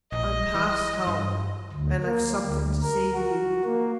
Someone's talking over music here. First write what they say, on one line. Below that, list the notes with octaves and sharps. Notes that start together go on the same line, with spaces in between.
I'm past help--and I've something to say to you.
A#1 D#5
E3
G2
D2
A#3
D2
A#4
F#4
A#3